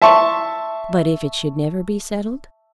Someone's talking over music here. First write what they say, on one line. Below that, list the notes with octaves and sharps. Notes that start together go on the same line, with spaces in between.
"But if it should never be settled?"
E5 A5 C6 C#6